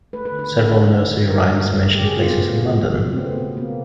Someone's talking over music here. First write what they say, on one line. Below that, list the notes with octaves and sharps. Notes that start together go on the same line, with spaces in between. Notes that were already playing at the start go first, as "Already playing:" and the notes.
Several nursery rhymes mention places in London.
A3 B4
B4
D3
B4
D3
F#3
A3
D3
D3 A#4
F#3
A3
C#3
G4
C#3 G#4
F4
F#3
B3
A3
C#3
C#3
F#3
C4
A3 B3
B2
B2 A#3